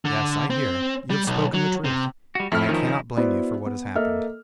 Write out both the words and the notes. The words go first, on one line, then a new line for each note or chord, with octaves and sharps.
'Yes, I hear; you have spoken the truth, and I cannot blame you for what has happened.
D3
C4
G3
B1
F#3
C3
G3 F#4
F2 A3 E4 F6
D#3 F3 C#4 D#4 E4
B3 E4 F#4 C5 D5
B3
A#3 A4 D#5 E5 F6